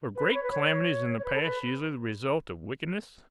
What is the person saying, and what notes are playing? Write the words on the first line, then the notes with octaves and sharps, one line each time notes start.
Were great calamities in the past usually the result of wickedness?
B4
C#5
B4
C#5
C#5
B4
A4
B4